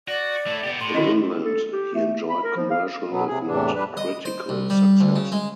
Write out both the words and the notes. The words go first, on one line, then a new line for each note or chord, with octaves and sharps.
In England, he enjoyed commercial if not critical success.
F#4 D5
A3 E4
B3 G4
A2 B5 C6
D#3 E4 D#5
A4
G4
A3
B5
A#4
F3
F5
B2 F#3 B3
C3 G#4
E2 A2 C3 E3 D4
G3 D4 B4
D#5
C5
C2
G3
D2
C#3
G#3